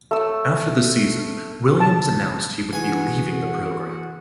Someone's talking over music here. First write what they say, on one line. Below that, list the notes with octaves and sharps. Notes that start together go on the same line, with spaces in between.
After the season Williams announced he would be leaving the program.
A3 E6
A5
E3 F#4 G#4 F#5 G#5